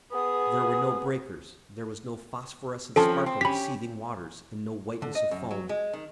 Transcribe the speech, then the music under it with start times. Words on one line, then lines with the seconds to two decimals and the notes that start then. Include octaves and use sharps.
There were no breakers; there was no phosphorescent sparkle of seething waters, and no whiteness of foam.
0.12 B3 G#4 D#6
2.96 F3 C4 C#4 A4 A5
3.26 C4
3.41 C#4 G4 B5 B6
5.02 D3
5.15 D#5
5.31 F#2
5.51 F#3
5.69 G#3
5.93 D#3